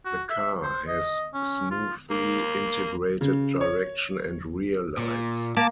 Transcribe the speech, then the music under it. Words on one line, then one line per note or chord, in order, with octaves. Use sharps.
The car has smoothly integrated direction and rear lights.
F#4
E5
C5
D#5
C#4
F4
A#3
C#3
C#5
A#2
A#3 A5 D6